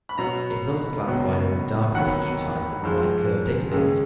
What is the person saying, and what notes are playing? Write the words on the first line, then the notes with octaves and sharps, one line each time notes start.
It is also classified as a dark P-type in the "Lightcurve Data Base".
B5
B2 F#3 B3 A#5
C#2 B2 F#3 B3
D#2 D#3 F#3 B3 F#5
G#2 F3 G#3
D#2 C#3 G#3